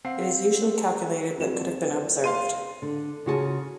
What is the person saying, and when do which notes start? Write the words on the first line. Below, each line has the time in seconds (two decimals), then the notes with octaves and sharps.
It is usually calculated but could have been observed.
0.05 C4 F5 F#5 C7
1.37 F2 F#3 E7
2.24 F5 C6 D#7
2.82 D3
3.26 C#3 F4 F#4 G#4 D#5 A5